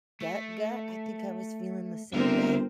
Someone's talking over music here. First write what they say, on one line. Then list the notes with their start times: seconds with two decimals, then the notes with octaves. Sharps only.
gut, gut, I think I was feeling the same way.
0.21 A3
2.13 G1 D2 C4 A#4 C5 E5